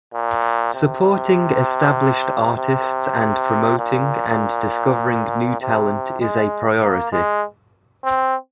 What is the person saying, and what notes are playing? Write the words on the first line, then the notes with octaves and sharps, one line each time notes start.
Supporting established artists and promoting and discovering new talent is a priority.
A#2
C3
C3
A#2
C3
G#3
A#3
G#3
C4